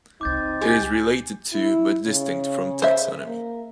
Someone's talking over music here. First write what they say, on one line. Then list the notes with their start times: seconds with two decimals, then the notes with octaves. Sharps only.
It is related to, but distinct from taxonomy.
0.21 C#2 G2 C4 D#4 D6 G6 A6
0.61 G4 G5 G#5
1.54 E4
2.07 C#3
2.82 C5 E5
3.26 A#3